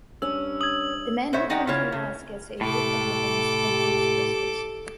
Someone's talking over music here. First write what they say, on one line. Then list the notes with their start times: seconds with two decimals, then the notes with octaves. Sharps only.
The man who comes in last gets a wreath of ribbons and pig's bristles.
0.22 G2 C#4 E6
0.61 D#6 G#6 F#7
1.33 B2 C5 C#5 E5
1.50 G3 D#4 D#5 F#5 G5
1.67 C#3 E4 F4 C#5
1.92 C#3
2.61 A2 C3 A4 D6
3.68 G4